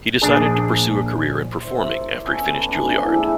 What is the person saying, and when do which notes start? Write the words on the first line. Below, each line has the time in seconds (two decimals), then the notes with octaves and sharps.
He decided to pursue a career in performing after he finished Juilliard.
0.22 A#1 D4 G#4
1.59 C5 E5
1.79 A#4 C#5 D5
2.26 B3 C#4 A4
2.68 A3 D4 D5 G#5
2.99 G#2 E3
3.14 E4 A4 B5